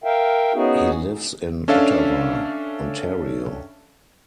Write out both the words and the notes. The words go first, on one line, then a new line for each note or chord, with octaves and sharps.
He lives in Ottawa, Ontario.
A#4 E5 F5 G5
B3 C#4 D#4 F#4 G#4
C#4 D4 A4 E5 F5